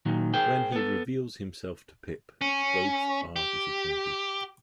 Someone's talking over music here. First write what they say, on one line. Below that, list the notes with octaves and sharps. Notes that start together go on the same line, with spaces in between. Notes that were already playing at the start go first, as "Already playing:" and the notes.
When he reveals himself to Pip, both are disappointed.
A#2 D#3 F#3
G#4 A#4 C5 G5
B3 A4
C#4
G4